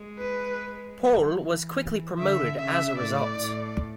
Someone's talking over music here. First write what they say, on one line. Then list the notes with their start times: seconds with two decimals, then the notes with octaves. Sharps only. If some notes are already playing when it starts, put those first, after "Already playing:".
Pohl was quickly promoted as a result.
Already playing: G#3
0.19 B4
0.98 F#3
1.39 E3
2.19 D3 E5
2.59 C#3 E5
2.99 A2 D5
3.39 A2